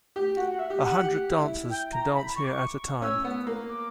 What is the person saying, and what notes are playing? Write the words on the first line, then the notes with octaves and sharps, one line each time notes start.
A hundred dancers can dance here at a time.
G4
F#4 F#5
F#5
E5
G4
F#5
G4
E4
G5
A#5
B5
C#6
D6
C#6
C#4 E6
B3
A#3
D6